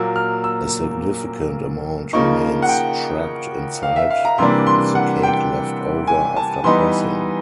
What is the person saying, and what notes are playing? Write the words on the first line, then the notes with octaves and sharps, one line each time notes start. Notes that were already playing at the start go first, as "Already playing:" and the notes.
A significant amount remains trapped inside of the cake left over after pressing.
Already playing: A#2 F#3 A#3 E6
F6
E6
C#3 F3 A#3 D#4 C#6
F#5
G5
F5
E5
F5
A#5
C3 E3 G3 A#3 D4 C6
C6
F#5
G5
G#5
A5
E3 G3 B3 D#4 C6